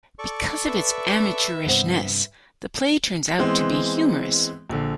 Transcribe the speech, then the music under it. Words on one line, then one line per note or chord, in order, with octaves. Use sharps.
Because of its amateurishness, the play turns out to be humorous.
A4 D5 C#6
B4 E5
G2 C3 B3 C5
E3 G#3 B3 C4
A#1 D3